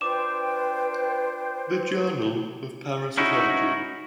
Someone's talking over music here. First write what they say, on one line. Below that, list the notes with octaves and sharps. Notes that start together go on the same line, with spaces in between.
The Journal of Parasitology.
D4 F4 B4 C5 G5 D6 E7
C#4 D#4 E4 F#4